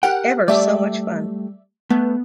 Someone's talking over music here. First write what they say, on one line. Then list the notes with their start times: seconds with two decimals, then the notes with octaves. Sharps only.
Ever so much fun.
0.03 G4 A#4 F#5 G5
0.48 G3 A3 G4 D5 E5
1.90 A3 B3